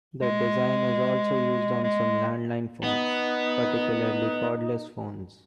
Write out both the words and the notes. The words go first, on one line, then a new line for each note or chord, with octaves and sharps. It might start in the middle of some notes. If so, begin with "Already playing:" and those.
The design is also used on some landline phones, particularly cordless phones.
G#3
G#3
B3 D#4